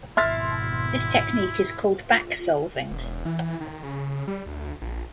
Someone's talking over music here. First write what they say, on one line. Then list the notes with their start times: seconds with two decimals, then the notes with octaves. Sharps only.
This technique is called backsolving.
0.17 G#1 F2 B2 E4 E5 C6 F6 A6
2.91 E1
3.25 E3
3.61 D#3
3.83 C#3
4.28 G3
4.46 D2
4.82 A#1